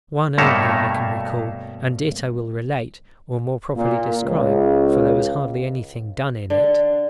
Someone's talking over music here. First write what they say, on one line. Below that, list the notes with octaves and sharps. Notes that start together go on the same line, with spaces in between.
One only I can recall, and it I will relate, or more properly describe, for there was hardly anything done in it.
G2 B2 A3 A#3 C#5 E5
A#2
C#2
D3